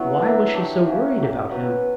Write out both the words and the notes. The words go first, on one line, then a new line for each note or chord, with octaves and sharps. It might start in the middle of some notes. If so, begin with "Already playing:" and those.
Why was she so worried about him?
Already playing: F#3 B3 C#4 E4 F#4
D4 A#4 E5
D4 G4 C#5
A#3 C#4 F#4
F#3 C#4 G4
F#3 B3 F#4 B4